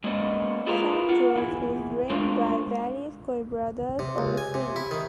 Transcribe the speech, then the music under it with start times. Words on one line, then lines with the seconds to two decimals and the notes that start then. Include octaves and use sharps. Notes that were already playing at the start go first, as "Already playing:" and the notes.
San Jorge is drained by various "quebradas" or streams.
0.04 G#3 A#3 B3 C#4 D5 D#5
0.67 E4 F4 G#4 A#4 B4 F5
1.09 F4 F#5
1.36 E2 E4
2.10 G#3 A3 D4 F4 A#4 C5
3.99 C3
4.18 C#2
4.38 G#5
4.54 C3
4.76 E4
4.91 D#3